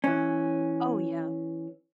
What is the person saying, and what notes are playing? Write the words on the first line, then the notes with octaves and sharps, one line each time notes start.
Oh, yeah.
E3 C#4